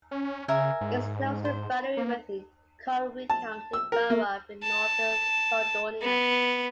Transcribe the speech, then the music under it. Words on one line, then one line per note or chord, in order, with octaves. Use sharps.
It is close to the boundary with Conwy county borough in northern Snowdonia.
C#4
C#3 A#4 E5 G#5
G#2
C5
A#3
A5
E6
A#4
A#3
A5
B3